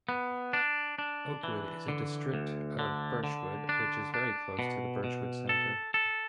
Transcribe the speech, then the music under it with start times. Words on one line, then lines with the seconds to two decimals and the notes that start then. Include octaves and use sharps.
Oakwood is a district of Birchwood, which is very close to the Birchwood centre.
0.09 B3
0.53 D4
0.99 D4
1.43 E3
1.88 D3
2.34 D2
2.79 D3
3.24 D3
3.69 D4
4.14 D4
4.59 B2
5.04 B2
5.49 A4
5.94 A4